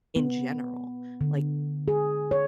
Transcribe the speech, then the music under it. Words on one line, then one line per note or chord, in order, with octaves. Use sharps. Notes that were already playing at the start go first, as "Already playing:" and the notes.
in general. Like,
B3
D3
G#4
C#5